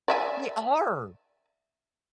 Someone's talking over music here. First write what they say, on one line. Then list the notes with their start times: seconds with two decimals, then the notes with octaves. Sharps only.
They are.
0.08 D5 E5 G#5